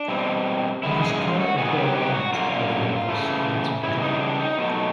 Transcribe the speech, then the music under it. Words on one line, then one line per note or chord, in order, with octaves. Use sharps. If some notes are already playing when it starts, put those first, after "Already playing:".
He was apparently well liked by the Empress Alexandra.
Already playing: D4
B2 G3 C4
F#2 D#3 G#3 E4
G#4
F4
F#4
G2 D#3 F#3 B3 G#4
G4
G4
F#4
F#2 D3 G3 A#3 F4
C#3 E3 A3
C#3 E3 G3 E4
D#4
D4
D#4
B2 F#3 A3